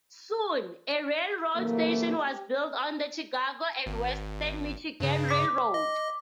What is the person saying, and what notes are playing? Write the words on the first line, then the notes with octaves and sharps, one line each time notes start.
Soon, a railroad station was built on the Chicago and Western Michigan Railroad.
C3 E3 F#3 A3 A#3
G4
G#1
G2 C#3
D6 B6
D#5